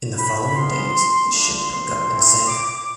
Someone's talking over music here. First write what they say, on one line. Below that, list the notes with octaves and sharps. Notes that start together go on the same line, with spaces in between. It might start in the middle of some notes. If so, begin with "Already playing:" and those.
In the following days the ship broke up and sank.
B5
G#3 B3 F4 C6
C6
A3 D4 F4 C6
C6
A3 C4 E4
D6